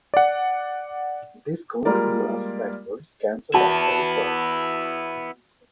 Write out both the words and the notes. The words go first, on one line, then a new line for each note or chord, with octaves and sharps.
This counter blast backwards cancelled out the recoil.
D5 F#5
G3 G#3 A#3 F4 A#4 D5
B3 E4 F#4 A5